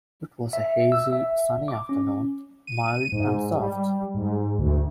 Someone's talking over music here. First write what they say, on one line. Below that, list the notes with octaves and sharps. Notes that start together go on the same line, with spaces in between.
It was a hazy, sunny afternoon, mild and soft.
E5
E6
E5
D6
C#4
D#7
G#2
G3
G#2
D2